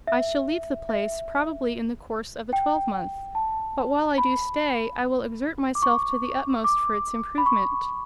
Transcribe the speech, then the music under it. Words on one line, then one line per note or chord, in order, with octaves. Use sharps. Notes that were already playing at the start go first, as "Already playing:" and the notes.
I shall leave the place probably in the course of a twelve-month; but while I do stay, I will exert myself to the utmost for its improvement.
E5
E5
G5
A5
B5
D6
C#6
D6
B5
C#6